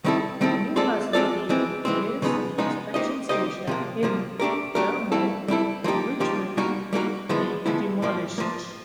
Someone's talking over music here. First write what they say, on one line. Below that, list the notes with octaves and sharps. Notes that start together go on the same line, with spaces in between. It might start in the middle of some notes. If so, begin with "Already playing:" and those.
The new facility will replace the inspection station in Yermo, which will be demolished.
D#3 G3 C4 E4 A4
D#3 G3 C4 E4 A4
G#3 C4 F4 A4 D5
G#3 C4 F4 A4 D5
E3 G#3 C4
E3 G#3 C4
C#3 F3 G#3 B3 D#4
C#3 F3 G#3 B3 D#4
A#3 D#4 G4 C5 D#5
A#3 D#4 G4 C5 D#5
C3 F3 A#3
C3 F3 A#3
A3 D4 G4 A#4
A3 D4 G4 A#4
G3 C4 E4 A4
G3 C4 E4 A4
F3 A#3 D#4 G4
F3 A#3 D#4 G4
G3 A#3 D#4 F#4 A#4
G3 A#3 D#4 F#4 A#4
D3 F3 G#3 B3 E4
D3 F3 G#3 B3 E4
A2 F3 A#3
A2 F3 A#3